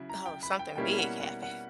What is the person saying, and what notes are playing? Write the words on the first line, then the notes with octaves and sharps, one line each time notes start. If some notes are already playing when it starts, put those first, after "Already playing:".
Oh, something big happened,
Already playing: C#3 F#3 E4
A#5
G5
B5
G5
B2 G3 A#3 C#4 E4 G5
F#5
F#5
F#5